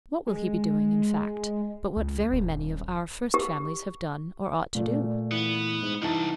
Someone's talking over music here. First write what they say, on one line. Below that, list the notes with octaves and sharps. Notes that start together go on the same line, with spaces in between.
What will he be doing, in fact, but what very many of our first families have done, or ought to do?
G#3
C#2
D#1
G4
A#2 A3 D5
E3 B3
G#2
C2 E3 D#4 A5